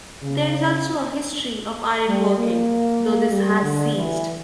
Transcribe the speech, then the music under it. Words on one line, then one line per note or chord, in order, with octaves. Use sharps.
There is also a history of iron working, though this has ceased.
C#3
G3
A#3
G3
D3
E3